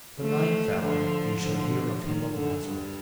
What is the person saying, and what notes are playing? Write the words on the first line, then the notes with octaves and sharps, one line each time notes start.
At the ninth hour, you shall hear of Him of Nazareth.'
F3 A3
D3 F3
D3 F3
D#3
D3
G2